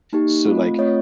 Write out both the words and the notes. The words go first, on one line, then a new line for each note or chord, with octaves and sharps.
So, like,
A#3 D#4 G4
A3 C4 F4
A3 C4 F4 C#5 D#5